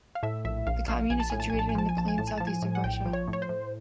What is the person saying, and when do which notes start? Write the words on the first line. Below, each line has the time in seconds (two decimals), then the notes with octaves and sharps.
The commune is situated in the plain southeast of Brescia.
0.15 F5
0.23 A2 E5
0.45 A#1 E5
0.67 A#1 F5
0.88 A#1 F5
1.10 A#1 G#5
1.20 A5
1.30 A2 G#5
1.40 A5
1.50 A#1 G#5
1.59 A5
1.69 G#5
1.75 F3 A5
1.89 G#5
1.97 A#1 A5
2.08 G#5
2.18 A2 A5
2.27 G#5
2.38 F3 A5
2.47 G#5
2.62 A2
2.75 F#5
2.84 A#1 G5
3.06 F3
3.13 C#5
3.28 A2
3.33 C#5
3.42 C5
3.49 A2